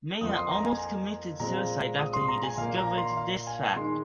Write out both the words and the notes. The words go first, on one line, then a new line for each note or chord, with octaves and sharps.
Mayer almost committed suicide after he discovered this fact.
F2 F3 A#3 D#6
C6
A#5
G#5
A#2 G#3 C4 A#5
D#6
C6
A#5
G#5
A#2 A#3 F5
A#5
C6
F5
G#5
D#3 G#3 C6